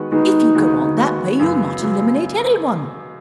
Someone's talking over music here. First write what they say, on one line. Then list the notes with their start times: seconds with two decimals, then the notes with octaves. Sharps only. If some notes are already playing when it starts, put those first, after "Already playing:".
"If you go on that way you'll not eliminate anyone."
Already playing: D#3 G#3 B3 F#4 B4
0.11 D#3 G#3 B3 D#4 F#4 B4
0.55 D#2 D#3 G#3 B3 F#4
0.97 D#2 D#3 G#3 B3 F#4
1.39 F#2 C#3 F#3 B3
1.82 C#3 F#3 B3